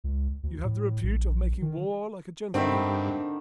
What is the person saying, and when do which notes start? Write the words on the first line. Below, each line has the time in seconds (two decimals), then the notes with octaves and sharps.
"You have the repute of making war like a gentleman."
0.04 C#2
0.43 D2
0.64 A2
1.03 A#1
1.62 D#3
2.54 G2 D3 D#3 C4 E5 B5